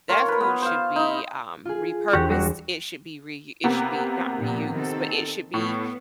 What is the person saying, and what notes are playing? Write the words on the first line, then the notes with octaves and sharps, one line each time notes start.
that food should be, um, repurposed. It should be reu it should be not reused, but it should be
F4 A#4 C#5
A#4 B4
B3
C5 F5
D#4 E4
F4 G#4
E1 E2 F#4 G4
F#3 G3 F#4 A#6
C3 A#3 B3
A#2 F3
D#3 C4 A4
A2 B3